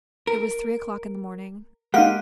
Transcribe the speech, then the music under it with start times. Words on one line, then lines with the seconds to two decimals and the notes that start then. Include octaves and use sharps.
It was three o'clock in the morning.
0.27 A#4
1.94 G#3 A#3 D#4 G4 F5 F#5